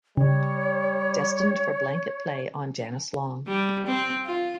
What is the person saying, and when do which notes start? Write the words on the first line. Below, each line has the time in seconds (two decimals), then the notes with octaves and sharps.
Destined for blanket play on Janice Long.
0.17 C#3 G3 C#5
3.48 G3
3.87 C4
4.26 F4